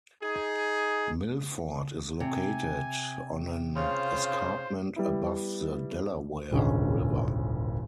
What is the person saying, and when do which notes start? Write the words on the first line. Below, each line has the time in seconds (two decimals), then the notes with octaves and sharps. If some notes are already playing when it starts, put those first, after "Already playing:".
Milford is located on an escarpment above the Delaware River.
0.23 D#4 G#4
2.20 C3 G#5
3.76 C#3 F4 C5
4.96 G3 B3 E4
6.51 D#1 G#1 C#2 D3 C#4